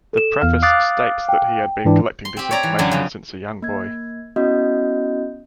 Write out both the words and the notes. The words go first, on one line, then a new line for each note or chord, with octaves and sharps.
The preface states that he had been collecting this information since a young boy.
A4 E7
E2 F5 F6
F5 D6 D#6 F#6 A6
G5
G#2 E3 D4
C6
C4 G4
C#5 D5 A#5
E3
F#2 D3 F#3
F2 C#3
A#3 G#6
B3 C#4 E4 F#4 D#5 G6